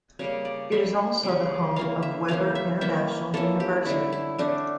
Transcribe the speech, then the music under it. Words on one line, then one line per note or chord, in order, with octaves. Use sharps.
It is also the home of Webber International University.
C#3 G3 A#3 C#5
D5
C#3 G3 C#4 E5
C#3 G3 C#4
E3 A#3 C#4 F5
E5
E3 A#3 C#4 F5
E5
E3 A#3 C#4 E5
E3 A#3 C#4 A4
G4
D3 A3 C#4 E4
E4
D3 A3 C#4 D4